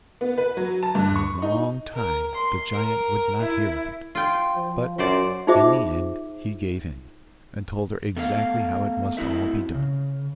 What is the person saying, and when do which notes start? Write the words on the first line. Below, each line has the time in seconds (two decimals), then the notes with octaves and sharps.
For a long time the giant would not hear of it, but in the end he gave in, and told her exactly how it must all be done.
0.21 B3
0.38 B4
0.57 F#3
0.83 A5
0.95 G2
1.16 C#6
1.42 D#4
1.95 A#4
2.35 C6
2.73 A#4
3.41 E4
4.15 F4 G5
4.56 F3
4.98 F#2 F#4 C5 D5
5.47 D#4 F4 G#4 C5 E5 D6
8.17 A3 B3 A4 E5 F5
9.17 A3 C4 E4 F#4 A4 E5
9.75 C#3